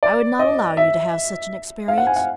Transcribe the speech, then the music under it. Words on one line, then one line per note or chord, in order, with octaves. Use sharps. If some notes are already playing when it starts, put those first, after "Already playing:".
I would not allow you to have such an experience.
D5
D#5
E5
F5
F#5
G#5
F#5